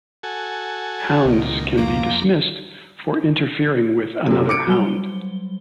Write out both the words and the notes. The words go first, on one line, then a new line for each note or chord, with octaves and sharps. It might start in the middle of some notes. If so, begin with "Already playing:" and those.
Hounds can be dismissed for interfering with another hound.
F#4 A4 G#5
C#2 A#2 D#3
F2 A#3 A#5 D6
F#2 C3 A4
D6 C#7 D7
F#3 G3 G7